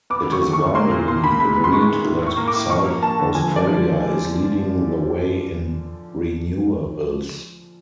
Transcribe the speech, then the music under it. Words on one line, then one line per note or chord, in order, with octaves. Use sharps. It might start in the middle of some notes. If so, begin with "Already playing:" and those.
It is widely agreed that South Australia is leading the way in renewables.
B3 D6
D3
C#6
D3
C#6
D3
C#6
A#3 C6
A#2
A#2 C6
A#3 B5
G#3 B5
B3
C6
G#3 C#6
D#3
A2
A2 C#6
A#3
D6
A2
F3 C#6
A#3
A#3 A5
D3
F3 G#5
F3 D5
F3